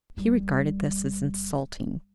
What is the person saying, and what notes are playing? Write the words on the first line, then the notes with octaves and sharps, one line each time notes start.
He regarded this as insulting.
G1 G3